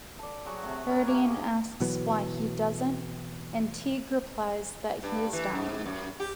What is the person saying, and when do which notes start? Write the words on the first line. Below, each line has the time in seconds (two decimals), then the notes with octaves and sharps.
Paradine asks why he doesn't, and Teague replies that he is dying.
0.19 A4 D5
0.46 F#3 F#4 G#4 C#6
0.63 C3 A3
0.89 C#4 A#4 B4
1.07 A3 A#3 G4
1.30 G#4
1.80 B2 E3 F#3 B3
5.03 G2
5.33 E3
5.55 G#2
5.86 F#2
6.20 G4